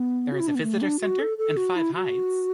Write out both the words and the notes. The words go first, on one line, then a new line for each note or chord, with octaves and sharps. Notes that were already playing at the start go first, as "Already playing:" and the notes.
There is a Visitor Centre and five hides.
Already playing: B3
F#4
E4
D4
B3
A3
D4
F#4
A4
A4
F#4
E4
F#4